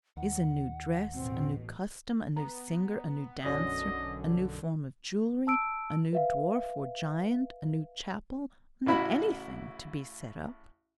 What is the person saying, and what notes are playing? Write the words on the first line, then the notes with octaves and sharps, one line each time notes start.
Is a new dress, a new custom, a new singer, a new dancer, a new form of jewellery, a new dwarf or giant, a new chapel, a new anything, to be set up?
D#2 F#5
A1 B2 C4
B3 A#5
B1 F#2 D3 C#4 F#4 D5 D#5
A5 E6 D7
B4 E5 F5
A1 C#3 E4 F#4 B5